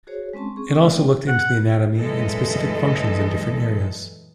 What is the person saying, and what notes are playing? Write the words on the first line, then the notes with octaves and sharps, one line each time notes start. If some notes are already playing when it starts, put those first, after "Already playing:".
It also looked into the anatomy and specific functions of different areas.
F#4 G#4 C5 C#5
G#3 C4 C#4 A5 C6
C4 G#4 C#6
G#3 A3 D5 E6
C4 E4 D5 G5
F#5
F#2 A#2 E3 G#3 A4 D#5